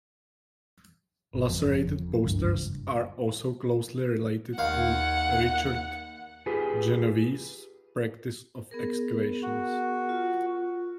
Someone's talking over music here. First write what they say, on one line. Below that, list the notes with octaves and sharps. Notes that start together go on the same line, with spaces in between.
Lacerated posters are also closely related to Richard Genovese's practice of excavations.
G#1
F#1 F2
F2
F#1 C#2 G2 D4
D#2 F5 F#5
F4 G4 G#4 B4
B3 G#4 A#4
F#4
F4